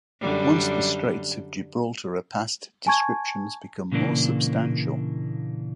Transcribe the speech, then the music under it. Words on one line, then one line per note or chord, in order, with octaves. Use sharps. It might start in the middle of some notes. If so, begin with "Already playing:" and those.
Once the Straits of Gibraltar are passed, descriptions become more substantial.
F#2 D3 G3
G#5 A5 C#6 G#6
A#2 C#3 E3 A#3 D4